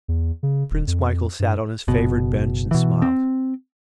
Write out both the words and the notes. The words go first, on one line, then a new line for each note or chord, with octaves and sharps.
Prince Michael sat on his favourite bench and smiled.
E2
C#3
D#1
F2
G2
F#1 B2
B2 E3
C4